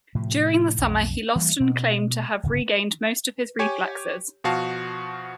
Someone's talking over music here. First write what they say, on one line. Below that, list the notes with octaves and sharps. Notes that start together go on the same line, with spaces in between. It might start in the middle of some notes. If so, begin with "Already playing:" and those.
During the summer he lost and claimed to have regained most of his reflexes.
A2 C3 F3
B1 F2
E3 F3 G3 A#3
B2
D1 G1 C#3
G4 C#5 G#5
B2 F3 F#4 F5 A5